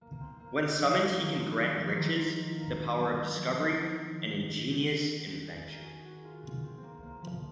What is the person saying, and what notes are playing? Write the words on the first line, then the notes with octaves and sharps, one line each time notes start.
When summoned, he can grant riches, the power of discovery and ingenious invention.
A#3
A#3
C4
A#3
F3
F3
D#3
F3
F#3
F3
D#3
C4
A#3
F#3
F3
F3
D#3
G#4
A#4
F#4
G#4
F#4
F4
F4
C4
C4
A#3
A#3
F3